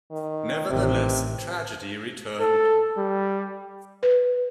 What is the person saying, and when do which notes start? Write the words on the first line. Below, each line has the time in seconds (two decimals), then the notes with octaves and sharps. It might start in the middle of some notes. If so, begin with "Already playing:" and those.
Nevertheless, tragedy returned.
0.11 D#3
0.69 A1 C3 D#3
2.40 A4
2.97 G3
4.03 B4